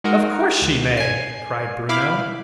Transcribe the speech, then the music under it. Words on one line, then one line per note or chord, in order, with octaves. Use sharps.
"Of course she may!" cried Bruno.
G#3 D#4 F#4 A#4
C#2
G#5 C7
E4 F5 B5 D6